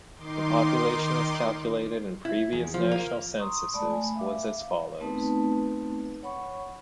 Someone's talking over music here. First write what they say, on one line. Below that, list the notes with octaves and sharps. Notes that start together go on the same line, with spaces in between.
The population as calculated in previous National Censuses was as follows.
D#3 D#4 C6 D6
E4
E2
F3
A#3
A#5 C6 C#6 D#6
G#3 A3 D5 A5 B5
A3 G#5
E5 F5 D6
A3 B3 C4 D#4 B4 A5
C#5 F#5 B5 C#6